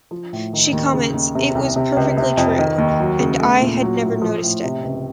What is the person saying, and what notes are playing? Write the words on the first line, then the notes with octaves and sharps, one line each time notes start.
She comments It was perfectly true; and I had never noticed it.
F3
A2
D#3
D#2
C#3
D#2
C3
C2
C3
C#2
C3
F2
D#3
D#2
F#3
C#3
A3
A#2
F#3
A2
F3
A2
C3
C#2